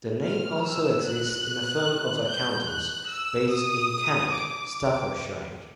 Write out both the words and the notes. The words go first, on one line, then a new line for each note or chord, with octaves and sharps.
The name also exists in a firm of accountants based in Cannock, Staffordshire.
F6
E6
F#6
G6
F#6
E6
D#6
D6
D6